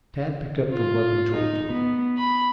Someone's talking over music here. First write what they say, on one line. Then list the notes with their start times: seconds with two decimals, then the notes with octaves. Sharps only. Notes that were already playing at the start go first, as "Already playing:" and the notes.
Tad picked up the weapon joyfully.
0.70 F4
1.34 D#4
1.68 B3
2.17 B5